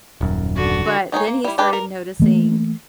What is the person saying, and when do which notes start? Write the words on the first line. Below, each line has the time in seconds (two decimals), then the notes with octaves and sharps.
But then he started noticing
0.21 D#1 F#2
0.55 D3 F#4
1.12 D#3 D#4 G#4 C#5
1.27 A#3
1.44 G3 E4
1.58 D4 G4 B4 D5
1.73 A#4
2.20 E3 A3 A#3